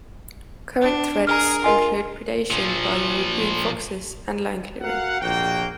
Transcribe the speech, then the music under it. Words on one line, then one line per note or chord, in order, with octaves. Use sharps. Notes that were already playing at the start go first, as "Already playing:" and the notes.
Current threats include predation by European foxes and land clearing.
D4
G#4 A#4 A#5 F6
F4 A#4 D#5 G#5
A#2 F3
F#4 A#4 F5 F#5
A#1 F2 A#3 F#4 G5